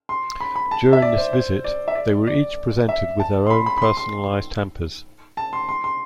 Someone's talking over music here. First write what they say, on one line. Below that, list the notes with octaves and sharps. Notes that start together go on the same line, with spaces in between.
During this visit, they were each presented with their own personalized hampers.
C6
B5
B5
A5
E5
D5
C5
C5
D5
E5
D5
D5
E5
A5
C6
B5
B5
B5
C6
C6
A5
C6
C6
C6